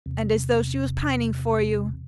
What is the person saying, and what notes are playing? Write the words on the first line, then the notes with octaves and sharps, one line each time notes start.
"And as though she was pining for you."
E2 C3